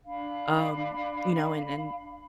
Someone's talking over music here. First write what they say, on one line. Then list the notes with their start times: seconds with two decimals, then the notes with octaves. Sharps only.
um, you know? And and
0.05 D4 F5 B5